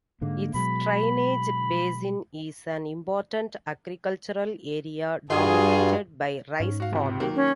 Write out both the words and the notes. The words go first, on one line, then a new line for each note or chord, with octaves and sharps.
Its drainage basin is an important agricultural area, dominated by rice farming.
G#2 D3 G#3 A#3
B2 F#3 G#3 B5
G2 F4 F#4 G#4
G#2 C#4
F#4 F5
C#2 C3
D#3 F#3 A#3
C#4